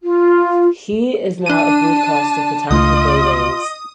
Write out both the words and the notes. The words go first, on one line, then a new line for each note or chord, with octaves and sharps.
He is now a broadcaster for the Tampa Bay Rays.
F4
D4 A5 D#7
C#2 A3 F4 D#5 D#6